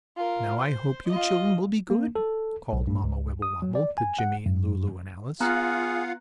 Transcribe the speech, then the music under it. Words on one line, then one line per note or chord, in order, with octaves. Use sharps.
"Now, I hope you children will be good," called Mamma Wibblewobble to Jimmie and Lulu and Alice.
F4 A#4
C5
F4 D#5
A#3
A4
B1
G2
C#2
D#6
F#3
D5
G#5
F#5
F#2
B3 F4 G#4 F5 F#5 A#5 F#6